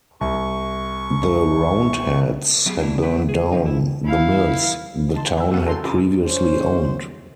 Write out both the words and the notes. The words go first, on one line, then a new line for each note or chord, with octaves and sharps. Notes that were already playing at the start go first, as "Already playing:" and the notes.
The Roundheads had burnt down the mills the town had previously owned.
C2 C#6
F#3 B3 D#4 E4 G4 G#4
A#3 D4 E4 G4
B3 C4 B4
G#4
C#3 F3 D#4
E4
E4 F5
D#4 A5 C6
E3 E6
C3 B3 F#4 F5
E2 A4 A#5 C6
F#2 C3 A#5 D6 D#6
C#4 C5